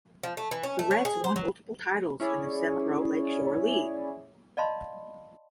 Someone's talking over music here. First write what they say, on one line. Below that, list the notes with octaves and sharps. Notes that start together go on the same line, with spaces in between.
The Reds won multiple titles in the semi–pro Lake Shore League.
F3
A3
E3
C#4
A3
C#4
G#4
C5
F#3
C#4 E4 G#4 C#5 D5
D5 D#5 F5 A5 B5 C6